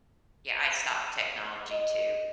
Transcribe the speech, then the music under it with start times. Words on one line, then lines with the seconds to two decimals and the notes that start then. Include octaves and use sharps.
Yeah, I stopped technology too,
1.71 D#5